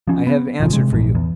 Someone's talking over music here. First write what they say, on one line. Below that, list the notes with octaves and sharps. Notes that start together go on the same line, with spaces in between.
I have answered for you.
F3 C#4
B3
E1 A1 C#3 F3
C3 G#3
A#1 E2 G#2
E2